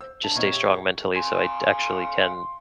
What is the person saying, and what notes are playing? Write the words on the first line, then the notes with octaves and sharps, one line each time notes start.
just stay strong mentally, so I d actually can
C5 E6
D3 D5 E5 A5
A#2 C4 D#4 C#5 D#5
G4 E5
G4 C#6
F5 G#5 C6